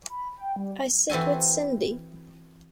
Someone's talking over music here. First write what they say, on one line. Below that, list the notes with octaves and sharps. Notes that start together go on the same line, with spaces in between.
I sit with Cindy.
B5
G5
G3
E3 C4 F#4 A4 G#5